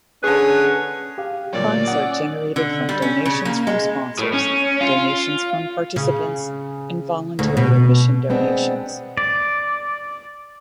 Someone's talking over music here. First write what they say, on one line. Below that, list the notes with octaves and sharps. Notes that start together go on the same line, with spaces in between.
Funds are generated from donations from sponsors, donations from participants and voluntary admission donations.
D3 C#4 G#4 B4 C#5
G4 F5
A#2 D3 F#3 G3 A#3 C#5 D5
C#4 F#5 D#6 E6
D3
G3
C#4
C#3
A#3
G#3
A2
C#4
F4
C#3
D2
B2
G#3 B3 C4 D4
D5